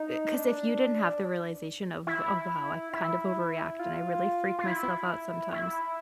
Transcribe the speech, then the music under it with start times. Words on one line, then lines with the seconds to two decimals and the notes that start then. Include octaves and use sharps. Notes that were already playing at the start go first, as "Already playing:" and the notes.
uh, 'cause if you didn't have the realization of, "Oh, wow. I kind of overreact and I really freak myself out sometimes,"
Already playing: D#4
0.34 D4
2.07 E4
2.93 E4
3.79 F4
4.59 F4
4.66 E4
5.53 E4